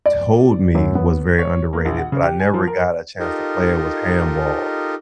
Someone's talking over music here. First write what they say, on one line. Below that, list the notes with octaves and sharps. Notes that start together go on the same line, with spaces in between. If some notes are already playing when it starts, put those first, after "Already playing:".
told me was very underrated, but I never got a chance to play it, was handball,
D5
F#2
B3
C#5
A#3
A#1
F#5
C#3
G4
G#5
F3
A#4
D#4 F4 G4 A4 A#4 D#5